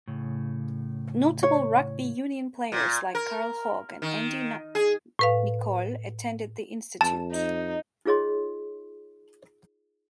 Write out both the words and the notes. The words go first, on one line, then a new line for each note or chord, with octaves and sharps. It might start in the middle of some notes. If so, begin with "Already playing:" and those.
Notable rugby union players like Carl Hogg and Andy Nicol attended the Institute.
A2 C#3
C#5
A#2
A#4
D#3
G#4
A2 B4 F5
F2 A5
D#4
D#4 F4 G#4 C#5 D#5 C6